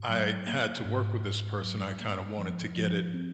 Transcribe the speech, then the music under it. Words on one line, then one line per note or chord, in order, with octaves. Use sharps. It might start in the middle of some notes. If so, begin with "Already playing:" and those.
I had to work with this person, I kinda wanted to get it
Already playing: G#2
F#3
A#3
G#2
G#2
F#3
A#3
F3
F3
C4